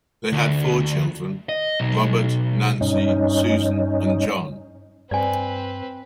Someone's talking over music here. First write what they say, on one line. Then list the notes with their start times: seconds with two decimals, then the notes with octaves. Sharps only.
They had four children: Robert, Nancy, Susan and John.
0.32 D2
1.49 D#5
1.80 B1
2.81 G2 C#4 D#4
5.11 G2 C4 B4 D5 G#5